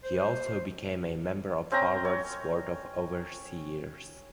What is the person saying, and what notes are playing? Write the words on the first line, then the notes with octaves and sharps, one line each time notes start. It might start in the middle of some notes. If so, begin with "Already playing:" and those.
He also became a member of Harvard's Board of Overseers.
C5
C4 C#4 G5 A#5
C#5